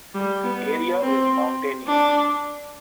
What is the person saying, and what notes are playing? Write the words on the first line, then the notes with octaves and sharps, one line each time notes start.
The area is mountainous.
G3
B3
C4
D4